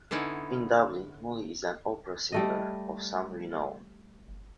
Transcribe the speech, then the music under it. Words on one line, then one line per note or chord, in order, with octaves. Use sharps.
In Dublin, Molly is an opera singer of some renown.
D3 B3 C#4 D#4 E4
G3 A3 D#5